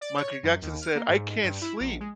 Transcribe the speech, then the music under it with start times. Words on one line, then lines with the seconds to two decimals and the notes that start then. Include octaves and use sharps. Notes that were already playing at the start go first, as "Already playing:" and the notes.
Michael Jackson said, "I can't sleep
0.01 D5
0.17 C#5
0.43 F#2
0.62 D#2
0.82 F6
0.95 A#3
1.09 G#2
1.44 G2
1.61 E4
1.80 A#1
2.00 G#3